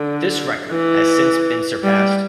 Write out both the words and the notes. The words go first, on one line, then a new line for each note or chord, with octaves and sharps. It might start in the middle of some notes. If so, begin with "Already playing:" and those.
This record has since been surpassed.
Already playing: D3
E3
G3